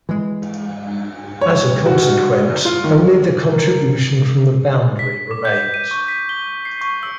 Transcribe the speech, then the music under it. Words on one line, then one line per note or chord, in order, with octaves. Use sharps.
As a consequence, only the contribution from the boundary remains.
E3 G#3
C#5
F#4
F4
D#3
A#4
B6
D6
G6
D#7
C#6
B6
G7
C7
C#6
E6